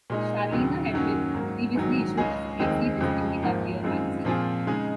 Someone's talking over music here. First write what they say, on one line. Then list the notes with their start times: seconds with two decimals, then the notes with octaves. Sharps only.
"Sharleena" had been previously issued as a flexi disc in "Guitar Player" magazine.
0.10 A#2 G#3 D#4
0.51 D#2 C#3 F#3
0.93 F#2 D#3 F#3 A#3 C#4
1.34 G#2 F#3 A#3
1.75 A#1 G#2 D#3 F#3
2.17 C#2 C#3 G#3 C#4 G#4
2.59 F1 D#2 D#3 G#3 C4
3.01 F2 C#3 F3 G#3
3.42 G#1 G#2 F3 A#3
3.84 F#2 D#3 G#3 C4 F4
4.25 A#2 F3 C4 F4 G#4
4.67 C#3 G#3 D#4 G#4